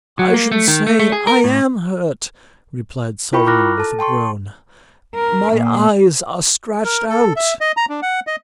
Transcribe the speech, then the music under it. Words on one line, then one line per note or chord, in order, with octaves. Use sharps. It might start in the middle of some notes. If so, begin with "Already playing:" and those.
"I should say I am hurt!" replied Solomon, with a groan; "my eyes are scratched out!"
F#3
A#3
A3
D#3
A3
A3
G#4
A#4
A2
E4 F4 A#4 G5 B5 C#6
A#5 D6 F6 F#6 A#6
A4 A5
G5 A5 C6 C#6
A#4
A#2
A#4
A4
E5
D#5
A#5
D4
F#5
D#5